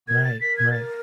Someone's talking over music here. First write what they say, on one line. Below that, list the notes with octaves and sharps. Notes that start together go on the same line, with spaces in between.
Right, right.
A#4 G#6
A6
A#4 B6
G#6
A6